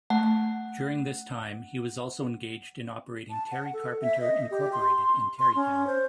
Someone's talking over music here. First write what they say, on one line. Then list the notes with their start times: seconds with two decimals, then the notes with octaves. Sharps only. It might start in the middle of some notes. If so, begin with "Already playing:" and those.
During this time, he was also engaged in operating Terry Carpenter, Incorporated in Terrytown.
0.10 A3 F#5
3.30 A5
3.51 F#5
3.73 A4
4.03 E5
4.21 D#5
4.51 G4
4.73 C6
5.39 C6
5.55 C#4
5.87 C5